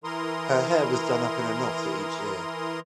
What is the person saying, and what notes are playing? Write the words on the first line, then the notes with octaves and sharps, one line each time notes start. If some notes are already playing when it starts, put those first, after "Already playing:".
Her hair was done up in a knot at each ear.
E3 E4 A#4 A#5 C6 D#6